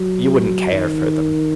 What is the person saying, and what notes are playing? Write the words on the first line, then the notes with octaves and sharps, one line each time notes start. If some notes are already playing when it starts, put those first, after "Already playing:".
You would n't care for them.
Already playing: F#3
D#3